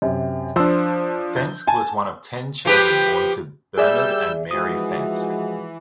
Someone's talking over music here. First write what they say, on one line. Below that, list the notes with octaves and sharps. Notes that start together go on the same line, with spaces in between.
Fenske was one of ten children born to Bernard and Mary Fenske.
F#2 C3
F3 D4 C5 E6
G6
G#5 A5
F3 G4 B4
G3 G#4 D5 E5 E6 G6
E3 F3 G#3 F#4 D#6